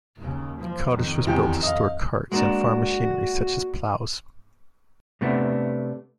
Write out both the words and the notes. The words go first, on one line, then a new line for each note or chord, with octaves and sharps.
The cottage was built to store carts and farm machinery such as ploughs.
D#2 C#3
F3
F2 D#3
E2 G4 G5
D#5 F5
G#3 A#3 D4 F#4
C3 A3 B3 D4